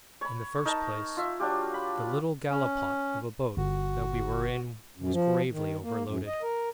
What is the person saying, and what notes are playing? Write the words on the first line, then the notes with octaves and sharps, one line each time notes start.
In the first place, the little gallipot of a boat that we were in was gravely overloaded.
C#5 B5
D#4 A#4 A5 A#5
F4 E5
F#3 D4 F4 G4
B5
C#4
G1 F#4
F#2
F3
D#3
A#3
F#2
D#5
A#4